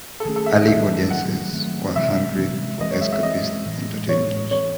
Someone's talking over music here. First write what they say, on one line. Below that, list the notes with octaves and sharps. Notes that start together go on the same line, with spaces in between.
Early audiences were hungry for escapist entertainment.
A4
D#3 F#3 A3 C#4 G#4
A4
E5
D#5
D#3 F#3 A3 C#4 E5
D#3 F#3 A3 C4 F#5
D#3 F#3 A3 C4
C3 E3 G#3 C4 E5
C3 E3 G#3 C4
E3 G#3 C4 D#5
C#5
E5
E5
E3 G#3 C4 D#5
A2 E3 G#3
A2 E3 G#3 C#5
E3 C4 C#5